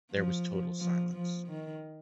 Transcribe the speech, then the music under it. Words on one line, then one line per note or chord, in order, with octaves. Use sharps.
There was total silence.
F3
F3
F3
D#3